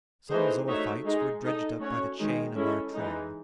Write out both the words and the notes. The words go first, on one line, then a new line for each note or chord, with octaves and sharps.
Some zoophytes were dredged up by the chain of our trawl.
E3 A3 D#4 G#4 C5
A3 D#4 F#4 C#5 E5
G#3 D#4 G#4
D#4 A4 D#5
A3 C#4 F#4 C#5
D#3 G#3 D#4
G#3 C#4 E4 A4
E3 G#3 D#4